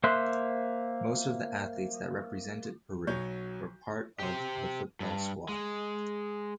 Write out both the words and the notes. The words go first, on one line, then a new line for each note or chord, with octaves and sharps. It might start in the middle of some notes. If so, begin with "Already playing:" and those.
Most of the athletes that represented Peru were part of the football squad.
A#3 C5 E5 C6 F#6
B1 F#3 C#5 G6
G4 C5
G2
G#3